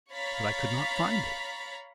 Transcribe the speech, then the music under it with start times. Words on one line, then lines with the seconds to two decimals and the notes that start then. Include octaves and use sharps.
But I could not find it.
0.12 C#5 F5 A#5 B5 A6 B6